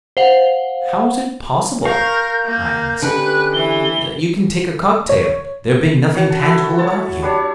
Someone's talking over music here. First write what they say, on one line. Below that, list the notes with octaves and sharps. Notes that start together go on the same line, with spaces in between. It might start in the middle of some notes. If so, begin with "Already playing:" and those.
"How is it possible," I asked, "that you can take a cocktail, there being nothing tangible about you?"
C5 F5 F#5
A#4 F5 C#6 G6
A#3
D3 C#4 G4 B4 F#6
E3 G7
C#5
F#4 C#5
A5
E4 F#4 A4
C#5 A5
G3 D4 C#5